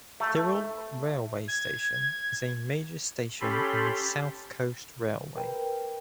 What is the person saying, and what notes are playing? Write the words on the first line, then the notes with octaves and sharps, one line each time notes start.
Thirroul railway station is a major station on the South Coast railway.
A3
G#6
C#4 G4 A4 B5 C6
A#4 B4 G5